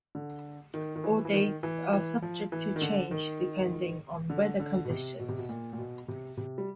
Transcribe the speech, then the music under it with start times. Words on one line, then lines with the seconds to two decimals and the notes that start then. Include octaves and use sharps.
All dates are subject to change depending on weather conditions.
0.15 D3
0.74 D#3
0.96 D#3
1.04 E3
1.25 E3
1.33 D#3
1.63 E3
1.93 E3
2.22 F3
2.52 E3
2.76 D#3
2.82 D3
3.11 D#3
4.30 D3
4.60 D3
4.85 B2
4.90 C3
5.19 B2
5.29 C3
5.38 B2
5.49 A#2
5.73 A#2
5.78 B2
6.08 C3
6.37 C3
6.58 G3